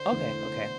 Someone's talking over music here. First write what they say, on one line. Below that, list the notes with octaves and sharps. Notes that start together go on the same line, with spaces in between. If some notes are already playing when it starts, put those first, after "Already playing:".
Okay, okay.
Already playing: D3 C5
E2 D3 A3 E4